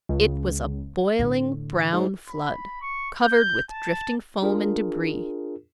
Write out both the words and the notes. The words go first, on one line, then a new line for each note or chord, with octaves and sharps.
It was a boiling brown flood, covered with drifting foam and debris.
C#2
A2 D3
G#2
B5
C#6
G6
A5
D4 F4 G#4 A#4